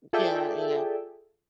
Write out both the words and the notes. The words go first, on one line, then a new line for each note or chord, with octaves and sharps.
Yeah, yeah.
F4 G#4 A4 D5 E5 G5